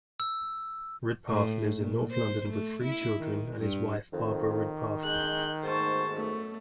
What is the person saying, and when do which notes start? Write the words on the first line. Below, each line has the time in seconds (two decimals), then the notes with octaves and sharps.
Ridpath lives in north London with three children and his wife, Barbara Ridpath.
0.20 E6
1.29 A2
1.78 A#2
2.11 C5
2.49 A3
2.84 E4
3.18 D#3
3.56 G2
4.13 F2 D#3
5.04 G#3 F#6 G6
5.64 G#2 B2 A3 C5 A5
6.15 F#2 A3